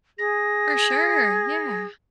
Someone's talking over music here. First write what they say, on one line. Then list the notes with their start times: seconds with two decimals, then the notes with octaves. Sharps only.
For sure, yeah.
0.18 G#4 A#6